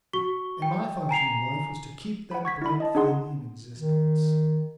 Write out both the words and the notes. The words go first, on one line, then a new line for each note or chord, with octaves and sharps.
And my function in life was to keep that bright thing in existence.
F#4 C#6 G7
G5
G#5 A#5 C7 F7
F#5 B5
C#6 G#6 B6
E4 B5
D#5 A5
D4 D#4 G#4 F#5 C6
D#3